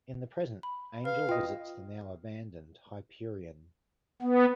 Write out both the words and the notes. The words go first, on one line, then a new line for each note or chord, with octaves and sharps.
In the present, Angel visits the now-abandoned Hyperion.
B5
B4 F5
F4 D#5 G5
B3